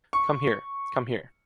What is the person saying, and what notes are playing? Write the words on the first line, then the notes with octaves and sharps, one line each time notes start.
Come here, come here.
C#6